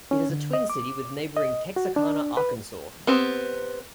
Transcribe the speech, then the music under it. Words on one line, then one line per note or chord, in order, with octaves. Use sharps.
It is a twin city with neighboring Texarkana, Arkansas.
C#4
D3
D#5
D6
D#5
F#4
D4
B4
B3 C4 G4